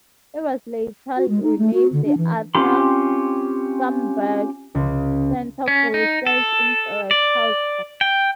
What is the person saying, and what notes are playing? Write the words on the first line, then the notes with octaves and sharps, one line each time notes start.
It was later renamed the Arthur Schomburg Center for Research in Black Culture.
F#4
G#3
D#4
A3
F#4
D3
D4
E3
C4 C#4 F4 G4 C6
C#2
C#4
D#4
A4
D5
G5